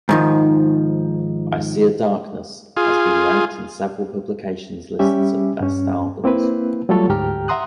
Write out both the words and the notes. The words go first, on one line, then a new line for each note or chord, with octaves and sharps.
"I See a Darkness" has been ranked in several publications' lists of best albums.
G#2 D#3 F3
F4 G#4
G3 C#4 G4 E5
G2 C#4
A#3 C4 E4 B4
F#3 G3 A3 F4 A4 C#5
D2 G#2 G4 G5 A#5 F6
E5 F#5 A#5 C6 D#6 F#6